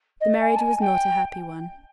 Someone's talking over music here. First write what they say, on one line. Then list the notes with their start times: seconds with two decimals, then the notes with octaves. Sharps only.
The marriage was not a happy one.
0.21 D#5
0.40 G#5
0.56 A5
0.60 G#5
0.80 G5